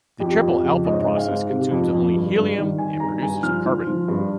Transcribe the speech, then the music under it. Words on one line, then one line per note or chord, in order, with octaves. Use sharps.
The triple-alpha process consumes only helium, and produces carbon.
F2 G4
F2
C#3
G#2 D#5
C#5
G#2 D#5
F5
G#2
C3
F2
F2
G2
G2
D#3
D#3 G#5
G2 A#5
G2 G#5
F3 F6
F3
F3
G2